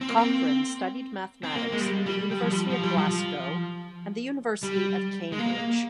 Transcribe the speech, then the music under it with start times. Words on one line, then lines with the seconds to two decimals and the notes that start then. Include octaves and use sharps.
Cochran studied mathematics at the University of Glasgow and the University of Cambridge.
0.01 C4
0.09 A#3
0.17 C4
1.43 C4
1.55 A#3
1.72 G#3
1.80 G3
2.06 G3
2.31 G3
2.41 F3
2.51 G3
2.70 F3
2.83 G3
2.97 F3
4.63 G3
5.32 G#3
5.39 A#3